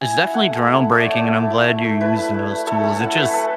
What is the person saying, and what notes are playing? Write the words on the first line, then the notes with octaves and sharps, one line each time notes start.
it's definitely groundbreaking, and I'm glad you're using those tools. It just,
E4 G#5
E4 F#5
A3 F#5
A3
E4
E4
C#5
A3 D5
A3
E4
E4
A3
A3
E4 B4
E4
A3
A3
A3 A4
C#4 A4
E4 F#5
A3 B4
A3 A4